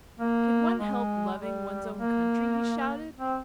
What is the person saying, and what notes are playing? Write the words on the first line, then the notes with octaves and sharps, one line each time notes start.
"Can one help loving one's own country?" he shouted.
A#3
G#3
G3
A#3
C4